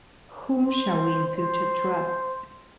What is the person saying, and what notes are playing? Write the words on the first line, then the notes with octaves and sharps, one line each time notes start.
Whom shall we in future trust?
C5
C5